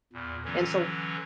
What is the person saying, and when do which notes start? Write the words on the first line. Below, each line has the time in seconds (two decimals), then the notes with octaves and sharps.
And, so
0.13 E2 A#2
0.45 D3 E3 F#3 C#4